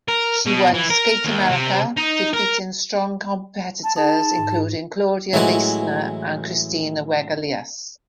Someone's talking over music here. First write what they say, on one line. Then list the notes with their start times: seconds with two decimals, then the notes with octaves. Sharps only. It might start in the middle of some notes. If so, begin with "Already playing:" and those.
She won Skate America, defeating strong competitors including Claudia Leistner and Kristina Wegelius.
0.08 A#4
0.45 B2
0.74 E3
0.90 A#4
1.25 D#2
1.51 C3
1.97 D#4
2.34 A#4
3.84 A5
3.96 D#4 G#4 A5
4.38 G#2
5.33 A1 E3 F#3 G#3 F#5 G#5